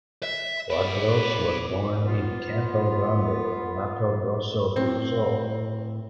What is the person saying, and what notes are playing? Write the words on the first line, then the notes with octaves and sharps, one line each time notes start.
Quadros was born in Campo Grande, Mato Grosso do Sul.
E5
B4 D5
B3 F4
A2 C4